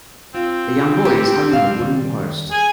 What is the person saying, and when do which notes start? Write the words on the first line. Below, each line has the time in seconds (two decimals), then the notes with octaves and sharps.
A young boy is hugging a wooden post.
0.35 C4 F4
1.05 G4
1.49 D4 F5
1.75 D#2 G3
2.51 G#4 G#5